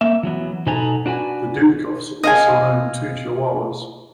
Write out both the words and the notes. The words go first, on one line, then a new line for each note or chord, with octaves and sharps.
The Dudikoffs also own two chihuahuas.
A#3 E5
E3 F#3 B3
B2 D#4 A4 B4 G#5 A#5
D4 F#4 B4 G#5
D#5 F5 G#5